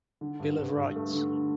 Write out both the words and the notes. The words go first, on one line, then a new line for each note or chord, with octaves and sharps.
Bill of Rights.
D3
G2
G2
G2
A3
D3